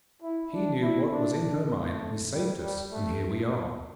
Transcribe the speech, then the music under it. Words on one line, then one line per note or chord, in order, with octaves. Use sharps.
He knew what was in her mind and saved us, and here we are.
E4
D4
E4
D4
D4
A3
G3
G3
A3